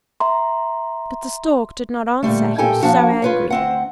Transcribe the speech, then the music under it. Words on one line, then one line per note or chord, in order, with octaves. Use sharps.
But the Stork did not answer, he was so angry.
E5 A#5 C6
A#2 D3 G3 A3
A#2 G4 A4 G5 G#5
F3 A#3 D4 F#4
F4 B4 C#5
D2 C4 F#5